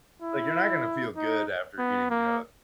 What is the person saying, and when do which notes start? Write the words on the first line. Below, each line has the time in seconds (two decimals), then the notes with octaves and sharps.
like, you're not gonna feel good after eating, you know, a
0.22 E4
1.16 D#4
1.78 B3
2.10 A#3